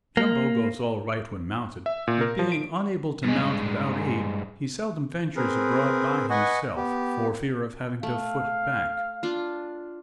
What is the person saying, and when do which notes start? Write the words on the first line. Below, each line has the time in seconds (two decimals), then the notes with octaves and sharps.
"Jumbo" goes all right when mounted, but, being unable to mount without aid, he seldom ventures abroad by himself for fear of having to foot it back.
0.17 A#3
1.86 E5
2.07 A#2
2.21 A#4
2.39 F3
2.52 D7
3.24 G2 G#3
5.36 C4 G#4 A#4 B4
6.30 B4 D#5 F#5 G#5 C#6
6.76 B3 G4
8.03 A3 F5
9.23 D4 F4